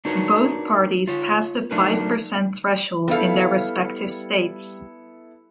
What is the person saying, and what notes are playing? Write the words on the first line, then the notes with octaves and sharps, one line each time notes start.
Both parties passed the five-percent threshold in their respective states.
D4 D#4 F#4 A#4 B4 C#5
F4 C#5
F#3 A3 D4 D#4 A#4 B4
G3 B3 E4 A4 F5